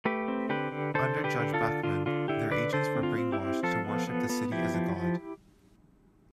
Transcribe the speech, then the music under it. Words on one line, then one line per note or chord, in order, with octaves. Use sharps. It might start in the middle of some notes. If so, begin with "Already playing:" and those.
Under Judge Bachmann, their agents were brainwashed to worship the city as a god.
A3 G4 B4
C4
D3 G4 B4
D3
D3 A4 C5
D3
G4 B4
D3
F4 A4
D3
D3 F4
D3 F4
D3 E4 G4
D3 B4 D5
D3 A4 C5
C4
F4
C4
E4 G4
C4
F3 F4 A4
B3
B3
B3
F3 E4 G4
F3
F3